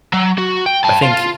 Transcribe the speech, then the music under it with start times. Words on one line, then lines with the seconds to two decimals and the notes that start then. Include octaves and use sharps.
I think
0.13 F#3
0.38 F#4
0.66 G5
0.84 G5 A5
1.02 F4